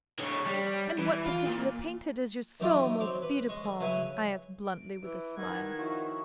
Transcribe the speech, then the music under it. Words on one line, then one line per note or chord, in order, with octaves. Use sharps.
'And what particular painter does your soul most feed upon?' I asked bluntly, with a smile.
D3 C#5
G3
E3
F4
A#2
F#2 D#3 A3 F4 E5 D6
F#3 C4 D6
B4
G#3 C#6
G#4 A4
C#3 F#3 E4 B4 G#5 C#6
D7
E3 E5
D#3 B3 F#5 G#6
F3 E4 F#4 C#5